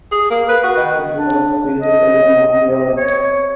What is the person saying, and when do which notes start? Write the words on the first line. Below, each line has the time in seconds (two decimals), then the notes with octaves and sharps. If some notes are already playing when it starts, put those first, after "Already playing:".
He was killed by the mafia.
0.11 G#4
0.30 A#3
0.48 B4
0.63 F#4
0.77 D#3
1.16 D4
1.80 D#5
2.97 C#5